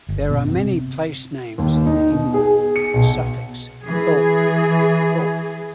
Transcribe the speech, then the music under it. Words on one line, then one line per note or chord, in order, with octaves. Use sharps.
There are many place names in England with the suffix "-thorp" or "-thorpe".
G1
B2
C3
D#2
D#4
B2
G#4
C#7
B1
E3 G#4